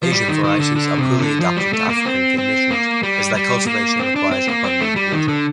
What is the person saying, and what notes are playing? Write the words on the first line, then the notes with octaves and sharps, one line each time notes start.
Asian varieties are poorly adapted to African conditions as their cultivation requires abundant water.
F3
G3
D#3
D#3
D3
D3
C3
D3
F3
G3
A3
A#3
C4
C4
A#3
G3
G3
A#3
C4
D4
C4
A#3
C4
A3
G3
D#3
D3